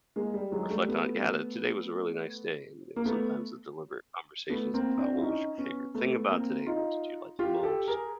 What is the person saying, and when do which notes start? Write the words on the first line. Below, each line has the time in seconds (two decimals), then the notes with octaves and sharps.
reflect on it, "Yeah, today was a really nice day," and you know, sometimes the deliberate conversations about what was your favorite thing about today, what did you like the most,
0.16 G#3 A#3
0.34 G3
0.52 F#3 G#3
0.70 G3 A3
0.89 A3 B3
2.96 A#3
3.05 A3 B3
4.49 A3 B3
4.74 A#3 C4
4.98 C4 D4
5.17 E4
5.22 C#4 D#4
5.58 B3 C#4
5.95 A3 B3
6.31 A#3 C4
6.66 D#4 F4
7.39 F4 G4
7.63 G4 A4
7.87 G#4 A#4